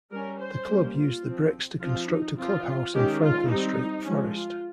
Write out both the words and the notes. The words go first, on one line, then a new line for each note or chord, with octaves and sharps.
The club used the bricks to construct a clubhouse in Franklin Street, Forrest.
G3 C#4 A#4
C5
G3 A#3 C#4
F4
F3 C4
F3 C4 F4
D#4
F3 C4 F4
D#3 G#3 C#4 G4
F4
G3 C4 D#4
F3 G#3 C#4
F4